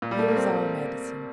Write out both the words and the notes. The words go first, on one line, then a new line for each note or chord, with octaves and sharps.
Here is our medicine.
A#2
G3
A3
A#3
C4